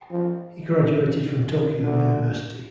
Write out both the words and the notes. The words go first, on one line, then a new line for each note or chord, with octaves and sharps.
He graduated from Tokyo University.
F3
E3
D3